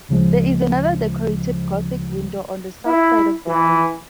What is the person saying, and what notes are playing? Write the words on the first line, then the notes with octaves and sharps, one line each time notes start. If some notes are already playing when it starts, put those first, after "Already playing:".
There is another Decorated Gothic window on the south side of the nave.
D2 C#3 F3 G#3
E4
E3